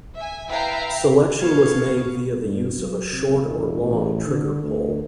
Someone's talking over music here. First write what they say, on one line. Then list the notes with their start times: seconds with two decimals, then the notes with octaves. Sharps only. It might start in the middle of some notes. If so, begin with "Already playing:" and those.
Selection was made via the use of a short or long trigger pull.
0.16 E5 G#5
0.48 E4 B4 E5 F5 G5 A#5
1.38 B3 A4 B4 F5 C#6 G#6
2.43 G2
2.79 F#3
3.13 C3
3.43 E1
3.82 A1
4.27 D3
4.64 D2